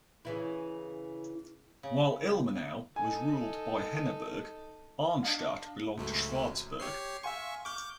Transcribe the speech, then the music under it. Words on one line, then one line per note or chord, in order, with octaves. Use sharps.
While Ilmenau was ruled by Henneberg, Arnstadt belonged to Schwarzburg.
C#3 E3 E4
C#3
D#4 A4 G#5
D4 D#5 F5
G#1 C#2 F#2 A3
G4 C#5 G#6 C7
E5 F5 G#5 C6 C#6
C#6 D6 F6 G6